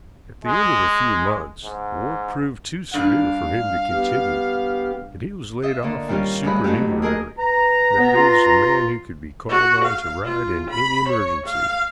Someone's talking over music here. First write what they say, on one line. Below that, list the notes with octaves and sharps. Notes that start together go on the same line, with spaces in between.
At the end of a few months the work proved too severe for him to continue, and he was laid off as supernumerary--that is, a man who could be called on to ride in any emergency.
G#3
G#2
G2 A#2 D4 F5
B3 G4
F4 D#5 E5
D3 A#3
A#2 D#3 G3 C#4 F4
D2 G2 G#3 D#4 D#5 B5
F2 F#3 A3 F#4 G4
A#3 G#4 A#4 D#5
B4 A#5
B3
F4
F#4
F5
F4
B5
C#5
F5